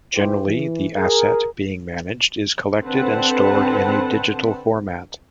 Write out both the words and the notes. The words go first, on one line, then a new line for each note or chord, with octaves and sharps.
Generally the "asset" being managed is collected and stored in a digital format.
E4 G4 G#4 B4 C5
E3
G#4 A#4
D3 C4 B4 C5 F#5 A5